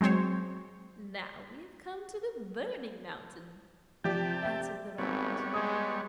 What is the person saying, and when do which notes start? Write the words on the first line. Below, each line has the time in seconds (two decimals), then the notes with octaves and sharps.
"Now we have come to the 'Burning Mountain,'" answered the rabbit.
0.01 F#3 G#3 C4 C5 C#5
4.04 C3 F3 G4 D5 G5 A5 G6
4.43 E5
4.98 G#1 G3 B3 C4 C#5
5.53 G#3 D#6 G#6